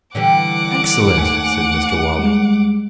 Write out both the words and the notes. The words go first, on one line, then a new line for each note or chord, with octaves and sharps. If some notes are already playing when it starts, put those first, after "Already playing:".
'Excellent,' said Mr Waller.
D3 E3 G3 F#5 D6
D#2 A3 G#5
G3 G#3